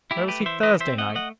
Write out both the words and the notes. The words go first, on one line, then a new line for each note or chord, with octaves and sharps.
Where was he Thursday night?
E4 G4
A3
G4 B4
E3
C5 E5
E3 B4 D#5
C5 E5
C4
D#5 F#5
A3
D#5 F#5